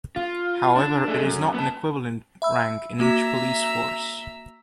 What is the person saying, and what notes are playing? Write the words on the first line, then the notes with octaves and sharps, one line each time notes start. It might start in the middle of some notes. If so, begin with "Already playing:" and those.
However, it is not an equivalent rank in each police force.
F4
D4
A3 G#4
F#2
B3 A5
E5 B5 E6
A#3 F#4 E5 A#5 D6 E6